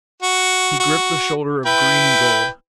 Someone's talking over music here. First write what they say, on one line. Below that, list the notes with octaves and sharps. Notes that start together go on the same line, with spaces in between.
He gripped the shoulder of green and gold.
F#4
F#4
E4 B4 G5